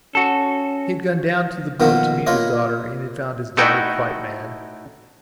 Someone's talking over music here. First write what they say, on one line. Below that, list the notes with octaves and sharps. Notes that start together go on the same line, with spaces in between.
He had gone down to the boat to meet his daughter, and had found his daughter quite mad.
C#4 F#4 A4
B2 D#3 F3 A#3 B3 F#4
A#3 F4 B4 C#5 D#5
A3 D#4 E4 F#4 G5